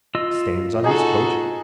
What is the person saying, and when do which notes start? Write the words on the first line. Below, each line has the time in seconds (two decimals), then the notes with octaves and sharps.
Stains on his coat.
0.15 F4 D#5 E6
0.84 D#4 F#4 G#4 A4